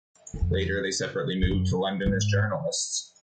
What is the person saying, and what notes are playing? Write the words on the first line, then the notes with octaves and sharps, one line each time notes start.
Later they separately moved to London as journalists.
F#2
F2
F2
F#2
G#2